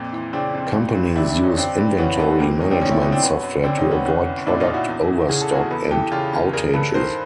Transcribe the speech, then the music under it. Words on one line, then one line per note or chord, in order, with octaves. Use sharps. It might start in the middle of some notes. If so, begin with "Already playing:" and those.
Companies use inventory management software to avoid product overstock and outages.
Already playing: F2 A#2
E3
C#3 C4 D4
F2
G2
G2
D#3 D4 E4
D4 E4
D#3
C#4 D#4
G2 C4 D4
G2
E3 B3 C#4
E3 A3 B3
E2 A#3 C4
E2 C#4 D#4
C4 D4
B2 C#4 D#4
D4 E4
B2 C#4 D#4
C4 D4
F#2 B3 C#4
F#2
D3 C4 D4
C#4 D#4
D3
B3 C#4
C2 B3 C#4
C2
A#2 D4 E4
D#4 F4
A#2
E4 F#4
E2
E3
C#3 G#4
A4
E2 F#4 G#4
E2 A4 B4
E3 G4 A4
C#3 F4 G4
E2
G2 G#4 A#4
G2 A4 B4
D#3 A#4 C5